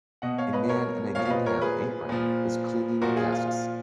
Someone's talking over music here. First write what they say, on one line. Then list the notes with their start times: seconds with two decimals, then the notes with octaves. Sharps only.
A man in a gingham apron is cleaning desks.
0.22 B2 D#5 F#5
0.38 C#5 F5
0.53 B4 D#5
0.69 A#4 C#5
1.15 A#2 F3 C#5 F5
1.25 F5
1.30 B4 D#5
1.46 A#4 C#5
1.62 G#4 B4
2.09 A#2 F3
3.02 A#2 F3 F#4 A#4
3.17 F4 G#4
3.32 F4
3.47 F4